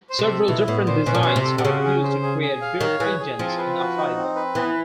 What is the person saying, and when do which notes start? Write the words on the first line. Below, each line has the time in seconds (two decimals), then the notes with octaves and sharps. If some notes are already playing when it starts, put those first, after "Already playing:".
Several different designs are used to create birefringence in a fiber.
0.10 C5
0.19 C3
0.29 A4
0.48 B2 E4
0.68 A2 B3
0.87 A#2 C5
1.06 B2 C#4
1.15 A#2
1.23 B2 C5
1.36 C3
1.45 A4
1.58 C3
1.65 C#3 F#4
1.84 C#4
2.03 C5
2.22 G#4
2.42 G#4
2.61 F5
2.80 D#3 C#5
3.00 E3 G#4
3.19 G#4
3.39 F3 C4
3.58 B4
3.78 F#4
3.97 D#4
4.17 C4
4.36 B4
4.55 E3 B3